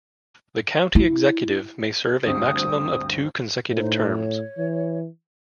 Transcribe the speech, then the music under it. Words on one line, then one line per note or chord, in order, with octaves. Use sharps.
The County Executive may serve a maximum of two consecutive terms.
E4
D2 G2 C4 D#6
A2 D#4 C5
C#5
E3